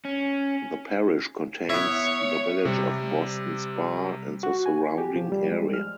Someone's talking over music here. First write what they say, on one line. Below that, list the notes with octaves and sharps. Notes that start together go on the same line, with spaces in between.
The parish contains the village of Boston Spa and the surrounding area.
C#4
B3 E4 C#5
C3 G3
F#4
G#5
G4
F3
G3
G#3
F6